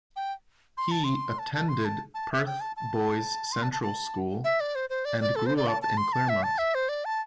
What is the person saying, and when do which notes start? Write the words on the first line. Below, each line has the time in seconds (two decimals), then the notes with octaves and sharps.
He attended Perth Boys Central School and grew up in Claremont.
0.16 G5
0.77 C6
0.91 A5
1.04 C6
1.39 A5
1.54 A5
1.69 C6
1.85 A5
2.14 A5
2.32 E5
2.46 G5
2.61 A5
2.77 A5
3.52 C6
3.63 A5
3.73 A5
3.83 A5
4.44 E5
4.60 D5
4.75 C5
4.90 C5
5.05 D5
5.21 D5
5.36 A4
5.46 C5
5.56 D5
5.68 A5
5.82 A5
5.97 C6
6.13 A5
6.29 E5
6.43 A5
6.58 E5
6.75 C5
6.89 D5
7.05 A5